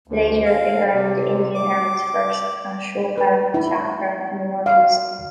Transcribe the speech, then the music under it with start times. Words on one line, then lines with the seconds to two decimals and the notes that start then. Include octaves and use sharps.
Later, it earned the Indian Army's first Ashoka Chakra in the North-East.
0.07 D2
0.45 F5
0.93 C3
1.55 D6
3.18 B4
3.54 E4
4.66 F5